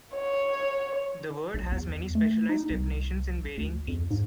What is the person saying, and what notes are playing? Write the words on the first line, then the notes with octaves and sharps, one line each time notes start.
The word has many specialized definitions in varying fields.
C#5
B1
E2
A3
D#4
C2
D2
F2
G#2